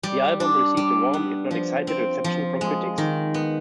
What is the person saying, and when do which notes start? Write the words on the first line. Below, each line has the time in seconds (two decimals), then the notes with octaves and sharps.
The album received a warm, if not excited, reception from critics.
0.03 G3
0.40 D4
0.77 G3
1.13 B3
1.51 F3
1.87 C4
2.24 F3
2.61 G#3
2.98 D#3
3.34 B3